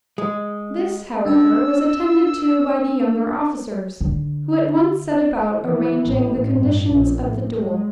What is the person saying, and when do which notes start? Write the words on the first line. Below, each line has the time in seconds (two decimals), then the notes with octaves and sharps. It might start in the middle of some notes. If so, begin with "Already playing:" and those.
This, however, was attended to by the younger officers; who at once set about arranging the conditions of the duel.
0.18 G#3
1.25 C#4 D4 A#4 E6
4.01 D3
5.67 E3
6.09 A1
6.48 G2
6.85 A#1
7.24 A2
7.59 G#3